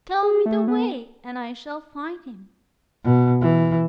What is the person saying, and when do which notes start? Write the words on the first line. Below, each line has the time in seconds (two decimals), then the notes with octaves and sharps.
"Tell me the way, and I shall find him!"
0.23 G#4
0.46 A3
0.68 B3
3.04 B2
3.41 E3